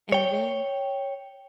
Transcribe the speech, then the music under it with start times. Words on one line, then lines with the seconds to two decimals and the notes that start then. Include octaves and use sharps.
And then
0.12 C#5 G5